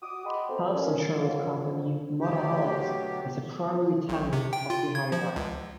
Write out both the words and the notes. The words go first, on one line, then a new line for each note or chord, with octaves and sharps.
Health insurance company Moda Health is the primary tenant of the high-rise.
F#4 D6 D#6
G#4 D#5 F#5 G5 B5 C6
B2 A3 C4
A#2 C#4
D#3 F3 F#3 C#4 F4
F2
D2 B2 F#3 G4
B1
C3
G5
F4
G#6
F3
C#2